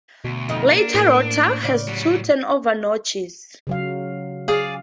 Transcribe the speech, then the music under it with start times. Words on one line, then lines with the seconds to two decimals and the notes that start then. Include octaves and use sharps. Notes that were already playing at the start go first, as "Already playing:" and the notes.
Later rotors had two turnover notches.
0.24 D2 B2
0.49 F2 D#4
0.71 A#3 D4
0.95 A2
1.63 C#3 D5
1.87 F#3 G3
3.67 C#3 F#3 F5
4.48 G#4 D5 F5